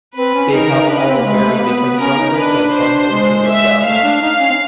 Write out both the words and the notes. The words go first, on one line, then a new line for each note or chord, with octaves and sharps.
They have all very different structures and functions in the cell.
C4 B4
C#4
D#4 A#4
D#4
D4 B4
C#4
C4
A#3
G#3 B4
A3
A#3
B3
C#4 A#4
D#4
D4 B4
C5
G#3
E5
A3 F5
D4
D#4 F5
C#4
C4